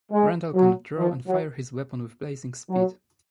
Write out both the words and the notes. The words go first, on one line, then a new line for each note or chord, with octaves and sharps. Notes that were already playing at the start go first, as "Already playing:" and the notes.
Randall can draw and fire his weapon with blazing speed.
G#3
F#3
F3
F#3
F#3